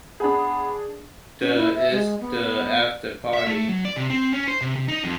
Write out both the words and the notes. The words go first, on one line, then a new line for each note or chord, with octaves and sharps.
The is the afterparty.
B3 D4 G#4
C#4
E4
E5
G#3
B3
B3
E5
A3
F#3
D5
C3
C4
C#4
C5
C3
C3
D#4
F2